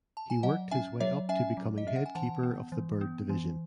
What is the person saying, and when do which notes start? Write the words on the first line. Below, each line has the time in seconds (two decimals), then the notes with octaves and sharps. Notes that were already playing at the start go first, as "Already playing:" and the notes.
He worked his way up to becoming head keeper of the Bird Division.
0.17 A5
0.30 G#5
0.43 F#3 D#5 F#5
0.71 C#4 E5 G#5
1.00 F#3 C#5 E5
1.29 C#4 E5 G#5
1.57 F#3
1.78 D#5
1.87 C#4 E5
1.96 F#5
2.06 G#5
2.15 E3 F#5 A5
2.43 B3
2.72 E3
3.01 B3
3.29 E3